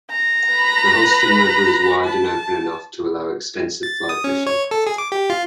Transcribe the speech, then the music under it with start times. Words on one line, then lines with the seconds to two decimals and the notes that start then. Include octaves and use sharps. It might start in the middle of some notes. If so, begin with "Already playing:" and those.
The Holston River is wide and open enough to allow extensive fly fishing.
0.10 A#5
0.49 B4 B5
2.05 A5
3.83 A6
4.09 D#6
4.24 C#4
4.47 C#5
4.71 A4
4.87 G#4
4.98 D6
5.12 G4
5.30 F4